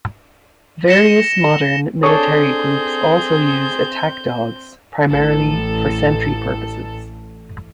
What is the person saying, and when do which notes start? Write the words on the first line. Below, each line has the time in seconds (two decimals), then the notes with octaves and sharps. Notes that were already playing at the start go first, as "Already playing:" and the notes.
Various modern military groups also use attack dogs, primarily for sentry purposes.
0.88 A#6 C#7 E7 G7
2.03 C4 D4 G#4 A4 C#5 C#6 D#6 G6
5.08 A1 A4